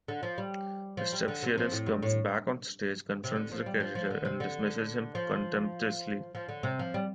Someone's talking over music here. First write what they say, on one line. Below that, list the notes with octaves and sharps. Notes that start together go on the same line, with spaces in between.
Strepsiades comes back on stage, confronts the creditor and dismisses him contemptuously.
D3
F3
G3
F3
G3
D3
C3
F3
A2
G2
A2
C3
D3
F3
G3
F3
F3
D3
C3
D3
F3
F3
D3
C3
F3
G3